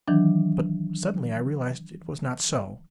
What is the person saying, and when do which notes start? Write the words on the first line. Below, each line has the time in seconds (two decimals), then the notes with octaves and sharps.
But suddenly I realized it was not so.
0.08 D#3 E3 F#3 D4